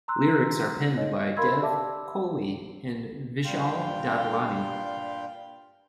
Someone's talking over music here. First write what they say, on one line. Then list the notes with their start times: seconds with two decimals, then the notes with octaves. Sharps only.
Lyrics are penned by Dev Kohli and Vishal Dadlani.
0.08 A#5 C6 E6 F#6
0.97 D#4 C#5 D#5
1.37 A#4 F5 B5 C6 E6 G#6
1.62 G4 D5 E5 A5 D6 E6
3.45 G2 A#2 G3 F5 G5 C6